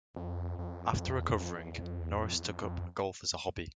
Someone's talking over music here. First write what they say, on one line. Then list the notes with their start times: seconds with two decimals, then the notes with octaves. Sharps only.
After recovering, Norris took up golf as a hobby.
0.16 F2
0.58 F2
0.94 E2
0.99 F2
1.19 E2
1.40 F2
1.61 E2
1.81 F2
2.00 E2
2.22 F2
2.35 E2
2.42 F2
2.63 F2